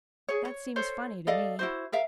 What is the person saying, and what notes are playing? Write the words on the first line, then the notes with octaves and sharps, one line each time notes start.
That seems funny to me.
G#4 C#5
C#5
A4 C5 C#5
A4 D5 D#5 F5
E4 F#4 C5
A#4 E5 F5